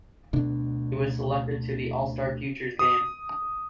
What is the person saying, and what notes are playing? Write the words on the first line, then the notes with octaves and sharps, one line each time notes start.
He was selected to the All-Star Futures Game.
D2 B2 D3 D4
D#6